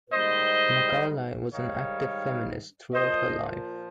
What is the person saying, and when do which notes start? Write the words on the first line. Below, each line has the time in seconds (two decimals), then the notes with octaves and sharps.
Macaulay was an active feminist throughout her life.
0.13 G#2 D#3 G3 C5 D#5
1.53 G#2 D#3 G3 C#5 F5
2.94 A#2 F3 C5 D#5